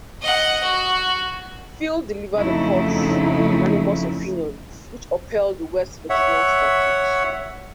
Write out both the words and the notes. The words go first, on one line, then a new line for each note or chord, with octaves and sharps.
Field delivered the Court's unanimous opinion which upheld the West Virginia statute.
D#5 F#5
F#4
F2 C#3 F#3 A3 D#4 E4
C#5 E5 F#5